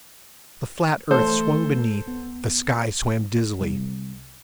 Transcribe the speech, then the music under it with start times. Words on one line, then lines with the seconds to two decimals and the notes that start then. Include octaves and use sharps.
The flat earth swung beneath, the sky swam dizzily.
1.11 E3 A3 A4 C5
2.06 C#2 B3
3.60 C2